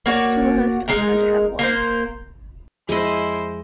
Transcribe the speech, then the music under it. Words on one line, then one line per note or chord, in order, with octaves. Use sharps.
Chislehurst are known to have won.
A#3 F#4 C#5 D5
G#3 D#4 A#4
A#3 A#4 C5
F2 G#3 E4 C5 D#5